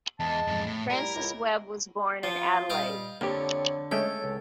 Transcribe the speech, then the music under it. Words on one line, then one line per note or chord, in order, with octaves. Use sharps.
Francis Webb was born in Adelaide.
E2 G#3 A5
F2 G#2
A2
G3 E4 A#4
C#2 E4
F3 F4
G2 A#2 G3 D#5 F5 G5
F2 D3 A#3 G4 C#5
G#3 A3 C#4 A4 C#5 G5
C#2